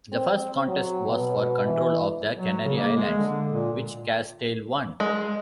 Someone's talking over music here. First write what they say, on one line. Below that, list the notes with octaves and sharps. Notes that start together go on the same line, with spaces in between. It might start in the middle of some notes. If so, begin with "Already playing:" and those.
The first contest was for control of the Canary Islands, which Castile won.
C4
F#3
B2
E3
F#3
C#3
A#3
G#3
D3
A#2
G#3